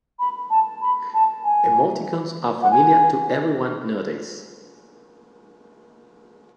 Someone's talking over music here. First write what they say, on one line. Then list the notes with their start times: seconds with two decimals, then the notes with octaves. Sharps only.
Emoticons are familiar to everyone nowadays.
0.19 B5
0.50 A5
0.82 B5
1.14 A5
1.44 G#5
2.63 F#5
2.71 G#5